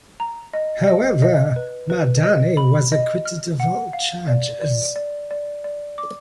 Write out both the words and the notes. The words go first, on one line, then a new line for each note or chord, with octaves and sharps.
However, Mahdani was acquitted of all charges.
A#5
D#5
D#5
D#5
B4
B4
D#5
B5
D#5
F6
F#5
F5
D5
D5
D5
D5
D5
D6